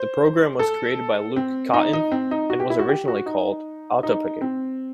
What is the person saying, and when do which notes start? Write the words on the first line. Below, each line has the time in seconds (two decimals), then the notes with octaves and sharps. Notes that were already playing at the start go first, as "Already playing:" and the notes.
The program was created by Luc Cottyn, and was originally called "autopkg".
Already playing: C5
0.59 A4
1.36 C4
1.74 D#4
1.93 D#4
2.12 C4
2.31 D#4
2.50 F#4
2.60 G4
2.70 E4
2.79 F#4
2.89 G4
3.08 F#4
3.26 D#4
4.03 D#4
4.41 C4